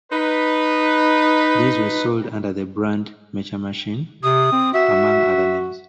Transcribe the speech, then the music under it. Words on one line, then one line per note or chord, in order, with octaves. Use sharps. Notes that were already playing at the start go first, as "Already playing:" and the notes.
These were sold under the brand "Mecha Machine," among other names.
D#4 B4
C3 D#6
C4
F#4 E5